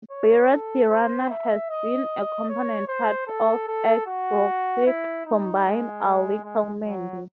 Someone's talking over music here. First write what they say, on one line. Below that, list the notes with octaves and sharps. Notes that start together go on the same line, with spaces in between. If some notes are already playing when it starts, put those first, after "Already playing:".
Birra Tirana has been a component part of ex-Grocery Combine "Ali Kelmendi".
C#5
A4
C5
E5
D#5
C#5
C5
A4
A4
F#4
E4
D#4
G#3
G#3
F#3